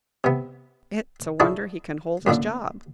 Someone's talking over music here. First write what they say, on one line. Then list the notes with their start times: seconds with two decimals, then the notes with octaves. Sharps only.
"It's a wonder he can hold his job."
0.24 C3 B3
1.40 D4 E4 F#4 G#4 A4
2.27 F#2 A#2 D3 D4